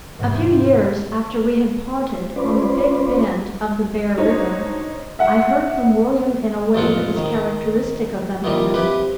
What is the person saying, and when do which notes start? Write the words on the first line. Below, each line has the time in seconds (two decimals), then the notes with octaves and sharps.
A few years after we had parted on the big bend of the Bear River, I heard from William in a way that was characteristic of the man.
0.18 E2 G#2 C3 C4
2.36 C#4 F4 B4 C5 D5
4.18 D4 D#4 C5 C#5
5.19 E5 F#5
6.74 A1 F2 F4 F#5
7.16 D#3
8.44 C2 A#2 D#3 G3
8.74 C3 G4 B4